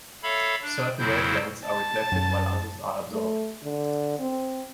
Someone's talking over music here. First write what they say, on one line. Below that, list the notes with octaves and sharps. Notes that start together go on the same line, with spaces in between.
Certain wavelengths are reflected, while others are absorbed.
A4 C#5 E5 F5 B5
D4
F2 C#3 F#3 C4 E4 G6
A5
F#2
A3
D3
C4